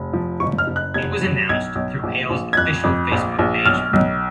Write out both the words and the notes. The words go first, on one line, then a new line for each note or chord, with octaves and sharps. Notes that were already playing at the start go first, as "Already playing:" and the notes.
It was announced through Hale's official Facebook page.
Already playing: F1
F3
F#1 C#6
F6
F#1
F#6
F1 G#6
F#3
B1 G#6
B1
A#1
A#1
G#6
F2 F#6
F2
A#1
A#1
B1 F6
B1